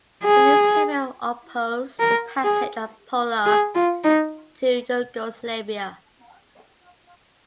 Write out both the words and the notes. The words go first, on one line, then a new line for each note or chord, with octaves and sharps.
The newspaper opposed the passage of Pola to Yugoslavia.
G#4
A#4
G#4
G#4
F4
D#4